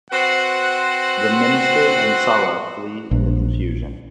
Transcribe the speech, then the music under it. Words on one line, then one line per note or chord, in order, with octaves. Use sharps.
The Minister and Sala flee in the confusion.
C4 F#4 B4 C5 F#5
A#1